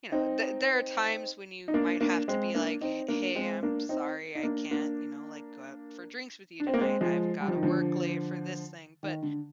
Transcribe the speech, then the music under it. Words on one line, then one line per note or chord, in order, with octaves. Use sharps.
you know, there there are times when you might have to be like, "H Hey, I'm sorry, I can't, you know, like, go out for drinks with you tonight, I've gotta work late for this thing." But,
C4 D#4
D#4
A#3 D4
A#3 D4
G#3 C4
A#3 D4
C4 D#4
A#3 D4
G#3 C4
A#3 D4
C4 D#4
D#4
A#3 D4
A#3 D4
D4
C4
A#3
G#3 C4
F3 G#3
G3
F3
D#3
D3 F3
D#3
D3